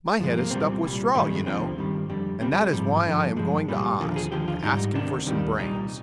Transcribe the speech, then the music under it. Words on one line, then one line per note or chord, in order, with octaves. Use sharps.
"My head is stuffed with straw, you know, and that is why I am going to Oz to ask him for some brains."
G2 F3 G#3
A#3
C2 A#2 G3 C4
C2 A#2 G3
G2 D#3 G3 A#3
G#3
G#3
D#2 D3 F3 C4
G2 D#3 G3
F2 D3 G3
C2 C3 G3 C4
G3
G#3
G#2 F3 G3
G2 D3 F3
G2 F3 G#3
C2 A#2 G3
D#2 D3 F3 A#3
G#4
D#2 D3 F3 G4
F4
G#2 G3 D#4
D2 C3 D#3 D4
D#2 D#3 G3
C2 A#2 G3 D#4